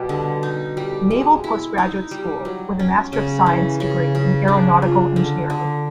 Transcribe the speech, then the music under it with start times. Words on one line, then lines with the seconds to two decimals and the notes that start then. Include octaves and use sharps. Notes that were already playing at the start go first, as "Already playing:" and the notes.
Naval Postgraduate School with a Master of Science degree in Aeronautical Engineering.
Already playing: B2 G3
0.09 D3
0.43 D#4
0.77 G3
1.11 G#3
1.44 E4
1.78 D#4
2.11 G3
2.45 F#3
2.79 C#4
3.13 C#3
3.46 E3
3.80 C#3
4.15 C#3
4.48 D4
4.82 F4
5.16 D3
5.50 D3